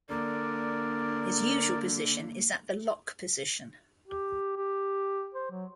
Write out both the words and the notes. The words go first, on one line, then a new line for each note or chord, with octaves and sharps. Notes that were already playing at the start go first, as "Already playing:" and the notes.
His usual position is at the Lock position.
D3 A#3 A#4 D5
G4
G4
C5
F#3